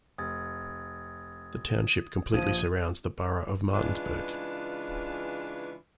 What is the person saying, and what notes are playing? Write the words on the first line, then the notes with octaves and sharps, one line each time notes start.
The township completely surrounds the borough of Martinsburg.
F1 D#6 G#6 A6
A#1 G2 F3 D#6 G#6 D#7
C#3 E3 G#3 D4 F4 B4